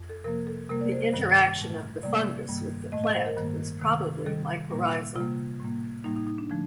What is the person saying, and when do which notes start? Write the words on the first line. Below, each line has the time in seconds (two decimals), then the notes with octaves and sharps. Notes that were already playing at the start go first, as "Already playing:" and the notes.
The interaction of the fungus with the plant was probably mycorrhizal.
Already playing: F2
0.09 A4
0.24 C3 F3 A#3 A#4
0.47 A4
0.70 C3 G3 A#3 A#4
0.81 D5
0.92 C5
1.03 C5
1.13 G2 D#3 G3
1.58 A2 A3
2.03 C3 G3 A#3 D5
2.48 G2 D#3 G3 A#3
2.92 A2 A3 D#5
3.04 D#5
3.14 C5
3.26 A#4
3.37 G2 D#3 G3 A#3
3.81 C3 D#3 A3
4.26 C3 D#3 G3 A4
4.70 A#2 G3 A#3
5.15 C3 G3 A#3 F4
5.60 A2 G3 A#3
6.04 A2 G3 A#3 D#4
6.16 D#4
6.27 D#4
6.38 D4
6.50 D3 F3 A3 D4